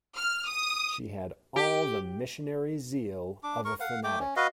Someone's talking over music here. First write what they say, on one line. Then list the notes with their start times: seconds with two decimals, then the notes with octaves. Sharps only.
She had all the missionary zeal of a fanatic.
0.16 F6
0.46 D#6
1.56 G4
3.43 D4 D6
3.65 A#4 C#6
3.80 F5 F#5
4.04 A3 G5 D6
4.19 C#4
4.36 F#4 B4 D#5 F5